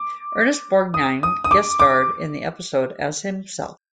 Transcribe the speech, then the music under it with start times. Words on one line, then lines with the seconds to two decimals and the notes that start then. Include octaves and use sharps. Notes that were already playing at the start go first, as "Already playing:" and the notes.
Ernest Borgnine guest starred in the episode as himself.
Already playing: D6
0.94 D#6
1.23 D#6
1.44 D#6
1.51 D6
1.80 D6